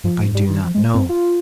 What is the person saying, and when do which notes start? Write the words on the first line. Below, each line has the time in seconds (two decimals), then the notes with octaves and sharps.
"I do not know."
0.04 G2 F3
0.20 G#2
0.34 G3
0.49 D#3
0.64 F3
0.74 G#3
0.94 G2 C4
1.09 F4